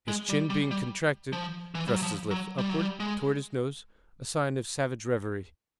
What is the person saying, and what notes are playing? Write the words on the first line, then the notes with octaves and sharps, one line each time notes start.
His chin being contracted, thrust his lips upwards towards his nose, a sign of savage revery.
G#3
G3
G3
G3
F3
E3
G3
F#3
F3
F#3
G3
F#3
G3
G#3